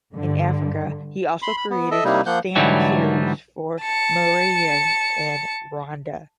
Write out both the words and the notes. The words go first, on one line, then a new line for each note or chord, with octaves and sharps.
In Africa, he also created some stamp series for Mauritania and Rwanda.
G2 D3
B5 C6
B5
B3
A4 D#5 E5
C3 G3 A#3 D#4 E4
F3 A#3 F#5 G6
G#2 D3 E3 F#3 G3
A5 C#7